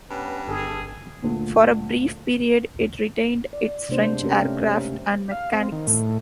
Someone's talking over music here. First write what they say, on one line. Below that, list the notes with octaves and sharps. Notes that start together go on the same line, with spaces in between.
For a brief period it retained its French aircraft and mechanics.
G2 B3 C#4 B4
G1 G#4 A4
D2 A#2
D5
C3 G#3 A#3 D4 C5
A3 C4 C#4 G4 A#4
F5
C4
D#3
A2